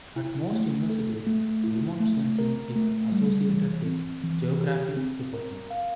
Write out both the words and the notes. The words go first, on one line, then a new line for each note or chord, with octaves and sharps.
At most universities remote sensing is associated with Geography departments.
E4
A3
A4
A3
E4
A3
A#4
A3
G3
E3
C4
E3
G4
C4
A#4
F5